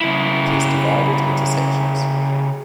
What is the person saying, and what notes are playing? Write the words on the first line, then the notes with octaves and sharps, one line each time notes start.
It is divided into sections.
C#3 E4